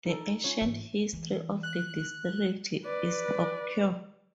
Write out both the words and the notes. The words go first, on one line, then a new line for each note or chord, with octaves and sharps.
The ancient history of the district is obscure.
D#4 A4
C#4 F4 C#5
G#2 E3
E3 A3
F#6
B4 D5